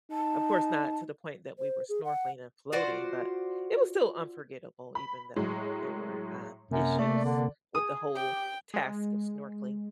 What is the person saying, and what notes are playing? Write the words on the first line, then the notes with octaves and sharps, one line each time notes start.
Of course, not to the point that we were snorkeling and floating, but it was still unforgettable even though there were, um, issues with the whole task of snorkeling.
D#4 A5
C5
G#4
F#5
F4 F#4 C5 D5
B5
A2 F#3 G#3
F#2 C3 A#3
A3 D5
D3
G#4 D#6
G4 G5
G#3